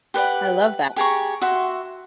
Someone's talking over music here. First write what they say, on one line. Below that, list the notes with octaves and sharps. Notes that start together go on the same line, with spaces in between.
I love that.
G4 B4 D5 F#5
G4 G#4 A#5 C#6
F#4 E5 C6